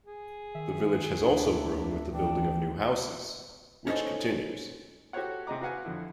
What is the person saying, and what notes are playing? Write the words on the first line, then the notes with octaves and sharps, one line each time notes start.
The village has also grown with the building of new houses, which continues.
G#4
D#3 E5
D2 D4
E3 D4 G5
C#4 D#4 A4 C5 C#5
F#4 G4 A4 C5 C#5 F#5
C3 G#4 D#5 A#5 D6
F#4 B4 F5 F#5 G#5
F2 D3 E4